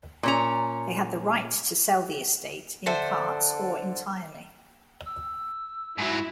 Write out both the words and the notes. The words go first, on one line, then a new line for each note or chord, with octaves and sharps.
They had the right to sell the estate, in parts or entirely.
A#2 C#4 A#5
D3 A4 C5 E5
E6
G#2 F#3 E4